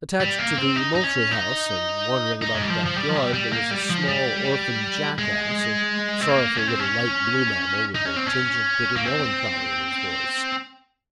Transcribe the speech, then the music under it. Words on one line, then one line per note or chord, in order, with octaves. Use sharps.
Attached to the Moultrie House, and wandering about the back-yard, there was a small orphan jackass, a sorrowful little light-blue mammal, with a tinge of bitter melancholy in his voice.
G3
A#3
C4
D#4
D#4
C#4
D#4
D#4
G#3
G3
F3
F3
G3
F3
G3
G3
A#3
G3
F3
G3
G#3
C4
A#3
C#4
C4
C#4
D#4
C#4
C4
C#4
A#3
C4